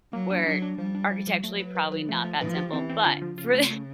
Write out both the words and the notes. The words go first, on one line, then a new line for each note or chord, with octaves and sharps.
Where architecturally, probably not that simple, but for i
F#3 A#3
D4
F#3 D4
D4
F3 G3
D4
F3
F3
F#3 A3
B4
B4
B4
F3 A3
A3
F3 B4
G4
E3 C4
C4
D3 F4
F3
C#3 F4
A3
A3